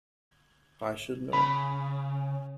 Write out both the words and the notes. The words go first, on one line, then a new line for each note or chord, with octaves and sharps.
I should know.
C#3 B5